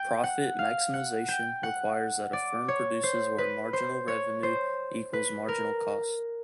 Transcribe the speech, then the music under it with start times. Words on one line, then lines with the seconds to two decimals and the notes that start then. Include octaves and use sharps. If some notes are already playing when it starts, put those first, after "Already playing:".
Profit maximization requires that a firm produces where marginal revenue equals marginal costs.
Already playing: G5
0.24 F#5
0.59 F5
0.94 F#5
1.28 G5
1.63 F#5
2.33 D5
2.68 C#5
3.03 C5
3.38 B4
3.73 C5
4.08 C#5
4.43 C5
5.13 B4
5.48 A#4